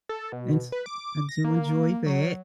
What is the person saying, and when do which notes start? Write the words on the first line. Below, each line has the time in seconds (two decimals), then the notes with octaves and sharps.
and s I do enjoy that.
0.09 A4
0.32 B2
0.72 B4
0.86 D6
1.29 A#6
1.44 A#3
2.06 F#3